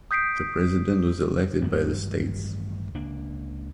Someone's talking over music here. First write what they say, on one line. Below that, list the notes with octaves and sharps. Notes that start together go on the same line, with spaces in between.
The president was elected by the states.
D#6 G6 B6 C7 D7
A1 G2 D#3 F#3
C#2 A#3 D4